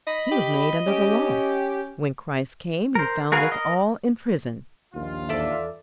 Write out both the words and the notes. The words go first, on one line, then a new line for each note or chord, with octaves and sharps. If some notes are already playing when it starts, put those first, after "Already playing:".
"He was made under the law." When Christ came He found us all in prison.
D#5 B5
G4 D#5
C#4 G4
A#4 C5
F#4 G#4 A#4 B4 F5
A#4 D#5
A#1 D#2 F4
E2 A4 D5 E5